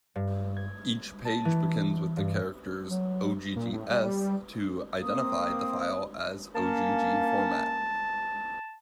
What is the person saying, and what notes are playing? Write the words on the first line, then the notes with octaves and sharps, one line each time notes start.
Each page begins with the characters, "OggS", to identify the file as Ogg format.
G2
G#6
A5
E3
G2
F#3
A#2
A2
G3
A#3 C4 D#6
A#3 C#4 A5